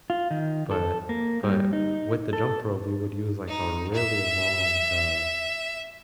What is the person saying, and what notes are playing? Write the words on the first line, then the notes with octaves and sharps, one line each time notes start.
but but with the jump rope, we would use, like, a really long, uh
F4
D#3
A4
A#3
G3
D#4
A4
D#4
E5